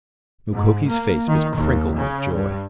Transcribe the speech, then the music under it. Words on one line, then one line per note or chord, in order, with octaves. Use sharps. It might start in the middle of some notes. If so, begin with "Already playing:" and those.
Mukoki's face was crinkled with joy.
G#2
A#3
D#3
D#2
C#3
G2